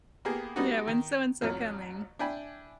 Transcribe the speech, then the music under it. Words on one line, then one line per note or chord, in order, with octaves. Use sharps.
Yeah, when's so-and-so coming.
A#3 B3 G4 G#4
G3 B3 D#4 F#4
D#3
A1 F2 F#3 F6
D4 E4 G5 G#5 B5